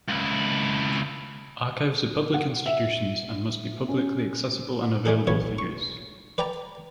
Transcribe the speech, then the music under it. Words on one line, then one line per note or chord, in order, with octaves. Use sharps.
Archives are public institutions and must be publicly accessible and available for use.
C#2 E4
F#5
E5
C#4
A3 D4 G#4 A4
B1 E2 B3 C#5
C#6
B4 D5 G5 A5 A#5